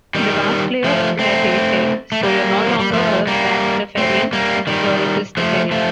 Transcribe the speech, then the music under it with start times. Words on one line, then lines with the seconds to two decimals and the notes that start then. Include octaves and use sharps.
The bass-player that day said; So you're no longer a Rastafarian, you're a Christafarian.
0.15 D#3 G3
0.84 F3 A3
1.19 A3 C4
2.12 A3
2.23 G3 A#3
2.66 F3
2.79 G3
2.93 F3 A3
3.27 G3 A#3
3.97 A3 C4
4.33 G3 A#3
4.67 D#3 G3
5.37 F3 A3
5.71 F3 A3